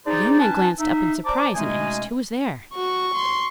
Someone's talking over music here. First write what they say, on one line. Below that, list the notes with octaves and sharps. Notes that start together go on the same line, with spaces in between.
The young man glanced up in surprise, and asked who was there.
D#4 G#4 C5 D5
C#4 D#4 B4 G#5 A5
D#4 E5
C5 D5 A5 A#5 D6
B2 G#3 A3 C#4 D#4 G#5
F#4 C#6
C6